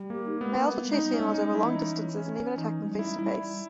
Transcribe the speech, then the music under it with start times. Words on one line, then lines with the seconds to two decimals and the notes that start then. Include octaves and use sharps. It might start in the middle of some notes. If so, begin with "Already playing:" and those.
Males will chase females over long distances and even attack them face-to-face.
Already playing: G3
0.10 A#3 G4
0.26 D#4
0.41 G#3 B3
0.57 A#3
0.73 B3
0.87 G#3
0.93 D#4
1.03 G3
1.13 C#4
1.18 G#3
1.34 G#3 D#4
1.55 G3 E4
1.64 E3
1.75 D#4
2.17 C#4
2.37 C#4
2.57 E3 D#4
2.80 G#3
2.88 G3
2.99 E4
3.19 G3 E4